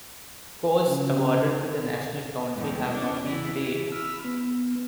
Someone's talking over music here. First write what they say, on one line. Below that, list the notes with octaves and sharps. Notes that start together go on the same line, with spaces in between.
Costs awarded to the National Council have not been paid.
C#3
E2 G2 G#3
C#4 D4
E3 E4
B5 E6 F6
B3